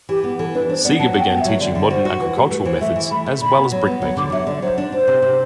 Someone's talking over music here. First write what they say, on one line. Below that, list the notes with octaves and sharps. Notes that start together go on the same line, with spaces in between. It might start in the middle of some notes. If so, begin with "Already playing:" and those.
Seger began teaching modern agricultural methods as well as brick-making.
E3 G4
B3
E3 A4
D4 B4
D4 C5
B3 D5
F#3 A5
F#4 G5
B3
E5
F#3
D3 D5
D3
F#4 C5
F#4
E3 B4
A3 G4
A3 B4
E3 C5
A3 E5
E3
A3 B5
A3
D3 B5
B3
F#3
B3
F#3
D3 D6
F#3 E5
D3 D5
F#3 C5
D4
D4 C5
C3
C3